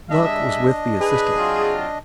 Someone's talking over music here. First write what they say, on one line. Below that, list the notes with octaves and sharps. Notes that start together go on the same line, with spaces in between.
Luck was with the assistant.
G3 D4 G#4 D#5 E5
G#4 B4
F#3 C4 F4